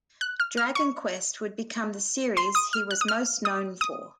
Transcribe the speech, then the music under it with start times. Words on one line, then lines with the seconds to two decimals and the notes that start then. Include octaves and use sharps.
"Dragon Quest" would become the series he was most known for.
0.21 F#6
0.40 F6
0.57 F6
0.75 C#6
2.37 C6
2.55 D#6
2.73 F6
2.91 F#6
3.01 D#6
3.08 F6
3.45 D#6
3.81 D#6